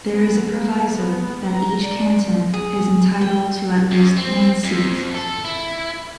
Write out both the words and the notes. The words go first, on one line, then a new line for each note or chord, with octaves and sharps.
There is a proviso that each canton is entitled to at least one seat.
B3
A#3
B3
A#5
D5
G#4
G5
F#2
C4
F2
A4
E4